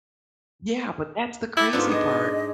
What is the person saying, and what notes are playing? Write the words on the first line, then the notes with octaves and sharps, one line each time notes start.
Yeah, but that's the crazy part,
E4 G4 A4
G#2 B3 D4 F4
G#4 D#5